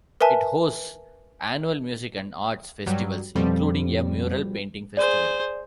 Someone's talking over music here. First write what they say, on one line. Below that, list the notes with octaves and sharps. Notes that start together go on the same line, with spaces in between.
It hosts annual music and arts festivals, including a mural-painting festival.
A#4 B4 E5 G#5 A5
G2 F#3 G3
F2 B2 F3 G3
G#4 C5 D5